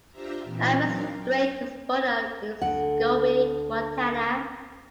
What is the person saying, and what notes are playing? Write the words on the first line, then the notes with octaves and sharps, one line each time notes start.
Alvin Straight was born in Scobey, Montana.
D4 F4 G4 C5 E5 A#5
A#2 E3 C4 D#4
F#3 C4 D4 D#4 A#4 F5
G5
D2 D3 F#5